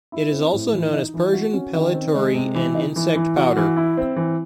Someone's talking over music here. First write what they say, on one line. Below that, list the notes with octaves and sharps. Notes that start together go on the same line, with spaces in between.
It is also known as Persian pellitory and insect powder.
E4
C4
A2
E3
D#4
E3
F#4
C#4
D#3
C4
G#3
C3
E3
D#4
E3
E3
F#4
E3
E4
C4
E3